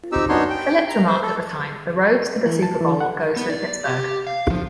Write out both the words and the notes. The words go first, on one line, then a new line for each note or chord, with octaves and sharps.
Phillips remarked at the time, The road to the Super Bowl goes through Pittsburgh.
C4 D#4 G4 E6
F#2 B3 D4 D#4 C#5 C6
G5
A#5
C5
A4
E3
A5
E3
F#5
B3
D5
G4
F5
F3